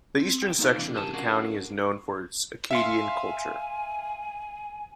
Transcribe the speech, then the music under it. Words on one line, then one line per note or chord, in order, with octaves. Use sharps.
The eastern section of the county is known for its Acadian culture.
C4
G5
A#3 D#4 A4 D5 F5
C3 E3 D4
G4 G#4 A#4 D#5 A5
C#4 D4 F4 F#4 G#4 A#4
E5 F5 G#5 C6